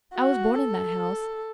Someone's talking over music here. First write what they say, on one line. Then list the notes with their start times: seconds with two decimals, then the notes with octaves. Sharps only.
I was born in that house.
0.14 F#4
0.55 A4